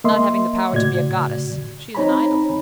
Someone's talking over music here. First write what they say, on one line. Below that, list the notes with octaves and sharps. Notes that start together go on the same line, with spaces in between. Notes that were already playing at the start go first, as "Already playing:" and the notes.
Not having the power to be a goddess, she is an idol.
A#3 D#5 E5 C6
A2 C#3 F#4 D5 G#6
C4 D#4 C#5 G#5 A#5 B5